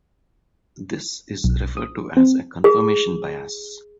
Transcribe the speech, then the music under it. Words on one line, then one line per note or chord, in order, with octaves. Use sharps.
This is referred to as a confirmation bias.
B1
D#6
C4
G#4